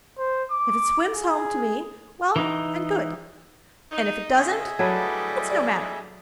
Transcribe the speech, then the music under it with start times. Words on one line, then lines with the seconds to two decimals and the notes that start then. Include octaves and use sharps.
If it swims home to me, well and good; and if it doesn't, it's no matter.'
0.18 C5
0.51 D6
1.13 G#4
2.36 E3 D#4
3.92 D#4
4.37 C#3 G#4 D#5 E5
4.79 A2 D3 F#3 G3 A4 B4 G#6
5.50 D5